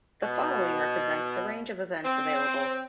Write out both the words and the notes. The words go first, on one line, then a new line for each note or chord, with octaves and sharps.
The following represents the range of events available.
B2
C4